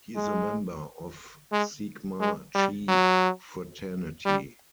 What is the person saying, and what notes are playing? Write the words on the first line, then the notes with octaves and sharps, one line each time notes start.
He is a member of Sigma Chi Fraternity.
G#3
G#3
G#3
G3
F#3
G3